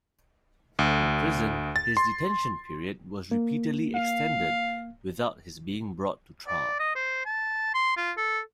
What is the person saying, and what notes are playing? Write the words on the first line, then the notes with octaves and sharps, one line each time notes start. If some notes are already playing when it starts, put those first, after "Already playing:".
In prison his detention period was repeatedly extended without his being brought to trial.
D2
A6
C6
A#3
F5
D5
D#5
C5
A5
C6
F4
A4